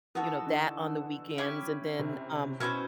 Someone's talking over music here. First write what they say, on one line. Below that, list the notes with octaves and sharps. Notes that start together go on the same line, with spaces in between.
you know, that on the weekends, and then, um
E3 B3 D#4 F#4 A4
D3
C#4 E4 G4
C3
B2 C#4 E4 A4 C5